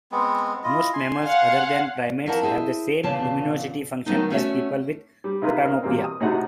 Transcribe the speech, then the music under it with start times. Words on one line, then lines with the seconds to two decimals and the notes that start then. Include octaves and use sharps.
Most mammals other than primates have the same luminosity function as people with protanopia.
0.12 G#3 B3 C4
0.64 E4 F4 D#5
0.93 G#5 C6
1.23 F5 F#5
2.26 F2 E4 A#4 F#5 G#5 A5
2.43 E4 G#4 C5
3.03 E2 A#2 C#3 B3 A5
4.06 D#3 F3 F#3 A3 B3 D#4
4.30 A3 C#4 F#4 C#5 E5
5.24 G3
5.42 C3 D#4 F4 G#4 A#4 B4
5.64 A#4 D#5 F5
5.83 E2 B2 G3 A#3 C4
6.04 D#6
6.20 A2 C3 D#4 F#4 G#4 F#5